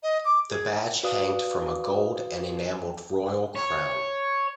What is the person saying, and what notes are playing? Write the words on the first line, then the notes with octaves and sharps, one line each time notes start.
The badge hanged from a gold and enamelled royal crown.
D#5
D6
G#4
F#4 B4 D5 F5 D#6
C#5